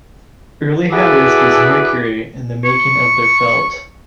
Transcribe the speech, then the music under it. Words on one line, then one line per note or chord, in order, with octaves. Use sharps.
Early hatters used mercury in the making of their felt.
E4 F#4 G#4 A4 B4 D5
C#6